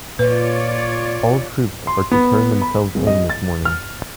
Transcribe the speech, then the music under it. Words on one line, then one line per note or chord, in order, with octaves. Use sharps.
All troops are to turn themselves in this morning.
A#2 F4 B4 C#5 D5
C6
B3
B5
D1
D#5
A6
F6